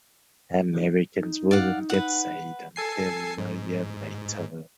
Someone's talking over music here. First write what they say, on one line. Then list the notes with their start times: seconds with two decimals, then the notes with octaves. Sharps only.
Americans wouldn't get Sade until a year later.
1.18 D#4
1.51 D5 F5 F#5
1.90 B4 F#5
2.76 A4 G#5 C7
3.38 G#2